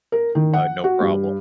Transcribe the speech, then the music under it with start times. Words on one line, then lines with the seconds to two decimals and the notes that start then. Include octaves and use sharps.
uh, no problem,
0.12 A#4
0.35 D#3
0.53 F#5
0.84 F#4
1.00 G2